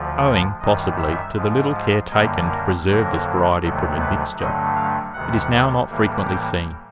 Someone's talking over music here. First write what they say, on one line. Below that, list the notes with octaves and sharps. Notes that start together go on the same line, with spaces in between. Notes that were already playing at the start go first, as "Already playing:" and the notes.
Owing, possibly, to the little care taken to preserve this variety from admixture, it is now not frequently seen.
Already playing: D2 D3 F3
F#2 D#3 G3 D#5
E5
G#2 F3 G#3
F#2 D3 G3 A#3 D#5
A#4
F2 D3 F#3 A#3 A#4
D2 C3 D#3 F#3 A3
B4
G2 D3 F#3 A3 D#5
F5
D2 C3 D#3 G3 F#5
A2 E3 G3 A#3
G5